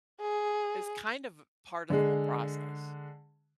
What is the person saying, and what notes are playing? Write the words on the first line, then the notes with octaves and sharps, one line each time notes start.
is kind of a part of the whole process.
G#4
D3 G#3